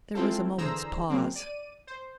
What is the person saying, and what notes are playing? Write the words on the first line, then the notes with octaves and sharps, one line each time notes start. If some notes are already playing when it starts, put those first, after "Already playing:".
There was a moment's pause.
G#3 C4 E4 F4 A4
D3 E3 G#4 C5 A#5 E6
C#3 F#3 A#3 C4
D5 D#7
C5